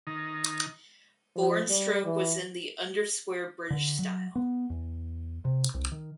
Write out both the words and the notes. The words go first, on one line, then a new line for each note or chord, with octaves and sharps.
Bore and stroke was in the undersquare British style.
D#3 D#4
F3
G3
E3
D3
F#3
B3
E2
C3
C2
D#3